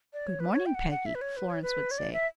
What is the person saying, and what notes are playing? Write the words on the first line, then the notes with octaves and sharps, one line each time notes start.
"Good morning, Peggy!" Florence would say.
D5
C#5
B4
C#5
G5
F#5
F#5
E5
B4
C#5
B4
C#5
B4
C#5
D5
E5